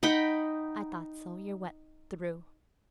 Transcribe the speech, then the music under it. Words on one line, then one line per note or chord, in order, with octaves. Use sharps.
'I thought so; you're wet through.'
D#4 F#5 G5 B5